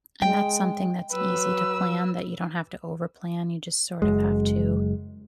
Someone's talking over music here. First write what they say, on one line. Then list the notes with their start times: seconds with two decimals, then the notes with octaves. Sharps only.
And that's something that's easy to plan that you don't have to overplan, you just sort of have to
0.22 G#3 G5
1.11 F#3 B4 E6
4.02 F#1 F#2 G#3